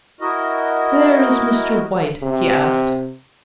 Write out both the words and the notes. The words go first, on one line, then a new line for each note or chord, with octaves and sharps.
"Where is Mr. White?" he asked.
E4 F#4 A#4 D#5
C3